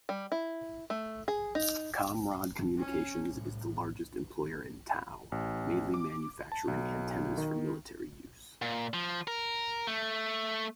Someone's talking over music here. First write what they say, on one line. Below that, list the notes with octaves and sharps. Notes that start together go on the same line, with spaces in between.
Comrod Communications is the largest employer in Tau, mainly manufacturing antennaes for military use.
G3
E4
A3
G#4
D#4
C#4
C2 A2
A1
D6
A5
B1
D#3
A#2
F3
A#4
A3